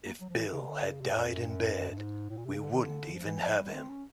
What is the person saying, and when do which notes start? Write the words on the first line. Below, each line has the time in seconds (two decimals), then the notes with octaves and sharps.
If Bill had died in bed we wouldn't even have him.
0.05 A#3
0.21 F#3
0.29 F3
0.37 E3
0.53 C#3
0.61 C3
0.68 D3
0.85 C#3
1.01 C3
1.17 F#2
1.25 F2
1.33 F#2
1.40 G2
1.49 F#2
1.90 G2
1.97 G#2
2.29 A2
2.37 A#2
2.45 C3
2.53 C#3
2.61 D3
2.71 D#3
2.82 D3
3.14 F3
3.25 E3
3.41 F3
3.57 G3
3.73 C4
3.89 C#4